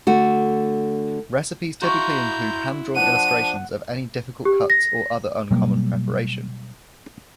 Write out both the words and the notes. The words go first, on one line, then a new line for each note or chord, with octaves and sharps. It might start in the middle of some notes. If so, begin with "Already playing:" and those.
Recipes typically include hand-drawn illustrations of any difficult cuts or other uncommon preparation.
D3 A3 F#4
E4 F#4 A#5 C6 C#6 G6
F3 D4 F#5 D#7
G4
A#6
B2 F#3 G3 A#3